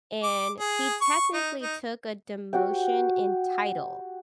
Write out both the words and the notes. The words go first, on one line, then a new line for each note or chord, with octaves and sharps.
and he technically took a demotion in title,
D6
G#4
C#6
D#4
D#4
F#4 G4 F#5 G5